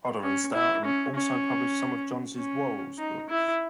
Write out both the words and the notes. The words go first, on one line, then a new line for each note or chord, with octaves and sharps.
Hodder and Stoughton also published some of Johns' Worrals books.
C#4
E4
C#4
C#4
C#4
D#4
E4